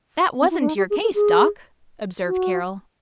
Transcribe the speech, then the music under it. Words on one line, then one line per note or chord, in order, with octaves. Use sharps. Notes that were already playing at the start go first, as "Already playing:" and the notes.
"That wasn't your case, Doc," observed Carroll.
C4
E4
D4
D#4
G4
G#4
A4
G#4
F#4